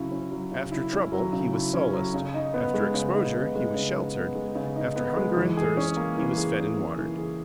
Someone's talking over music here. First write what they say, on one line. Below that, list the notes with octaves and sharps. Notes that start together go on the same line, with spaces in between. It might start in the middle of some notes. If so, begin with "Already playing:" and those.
After trouble, he was solaced; after exposure, he was sheltered; after hunger and thirst, he was fed and watered.
Already playing: C#3 F#3 C#4 E4
C#4
F#3
C#3
E4
C#4
F#3
C#3
E4
C#4
F#3
C#3
D#4
B3
G#3
C#3
D#4
B3
G#3
C#3
D#4
B3
G#3
C#3
D#4
B3
G#3
E3
G#4
C#4
A#3
E3
G#4
C#4
A#3
E3
G#4